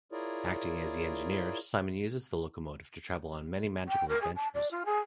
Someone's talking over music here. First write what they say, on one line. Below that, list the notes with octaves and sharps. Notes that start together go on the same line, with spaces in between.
Acting as the engineer Simon uses the locomotive to travel on many magical adventures.
E4 F4 G#4 A#4 C#5 D5
G5
A#4
G#4
A5
D5
F4
G#4